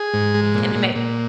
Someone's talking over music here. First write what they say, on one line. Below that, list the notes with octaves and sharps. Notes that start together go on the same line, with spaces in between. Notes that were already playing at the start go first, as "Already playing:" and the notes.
Mhm, and it may
Already playing: G#4
G#2
G#3
A#2
A#2
A#2